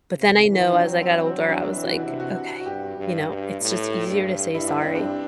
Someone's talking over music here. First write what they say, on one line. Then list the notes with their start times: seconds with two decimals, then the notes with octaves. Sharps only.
But then I know as I got older, I was like, "Okay, you know, it's just easier to say sorry."
0.17 C3
0.48 E3
0.72 D4
0.78 F#3 C4
1.02 C4
1.25 F#3 C4
1.49 D4
1.72 E3 E4
1.85 F#4
1.99 E4
2.04 C3
2.20 F#4
2.60 F#4
2.66 G2 G4
2.97 G2
3.29 G2
3.60 A2
4.07 G2
4.54 G2 E4
4.68 D4
4.82 G2 C4
4.95 D4